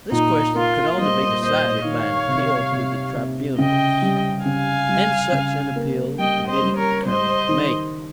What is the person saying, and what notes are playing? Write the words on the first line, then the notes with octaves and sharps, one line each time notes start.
This question could only be decided by an appeal to the tribunals; and such an appeal the Committee determined to make.
A#2 D#4
A#3 F4
G3 C5 D#5
A#3 C5 D#5
D#3 C#5 F5
C3
C3
C3
C#3 D#5 G5
G3
C#3 F5 G#5
G3
C#3
A#3
G3 D#5 G5
C5 D#5
G3
A#4 C#5
G3 C5 D#5
D#3